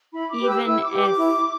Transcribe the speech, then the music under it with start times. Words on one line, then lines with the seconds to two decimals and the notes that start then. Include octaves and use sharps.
even if
0.13 E4 B5
0.31 D6
0.40 G4 B4
0.48 E6
0.65 E4 E6
0.83 D6
0.92 G4 B4
1.01 D6
1.18 E4